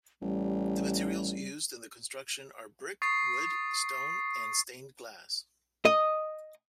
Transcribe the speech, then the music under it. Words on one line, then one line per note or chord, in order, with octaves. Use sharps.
The materials used in the construction are brick, wood, stone and stained-glass.
A1 G3
C#6 D#6 A6 C7
D#5